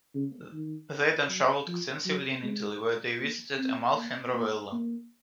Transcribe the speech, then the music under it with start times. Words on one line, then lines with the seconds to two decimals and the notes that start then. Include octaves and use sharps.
They then traveled extensively in Italy where they visited Amalfi and Ravello.
0.15 C#3
0.53 D#3
1.29 F#3
1.67 F3
2.06 F#3
2.43 G#3
3.20 A#3
3.58 C4
3.96 A#3
4.34 A#3
4.72 A#3